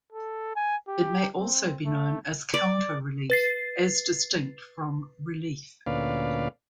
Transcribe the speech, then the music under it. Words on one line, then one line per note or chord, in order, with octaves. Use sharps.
It may also be known as counter-relief, as distinct from relief.
A4
G#5
G4
C4
A3
D5
B4 A6 C7
D2 A#2 C#4 B4 D5 F5